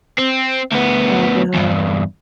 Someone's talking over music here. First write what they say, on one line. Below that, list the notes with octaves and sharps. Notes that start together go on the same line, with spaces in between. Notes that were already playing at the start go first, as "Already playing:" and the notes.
Oh, no.
C4
D2 B3
E2 G2